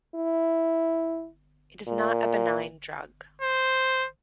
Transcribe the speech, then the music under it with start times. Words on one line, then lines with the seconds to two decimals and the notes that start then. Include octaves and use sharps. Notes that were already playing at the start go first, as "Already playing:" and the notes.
It is not a benign drug.
0.15 E4
1.88 A#2
3.42 C5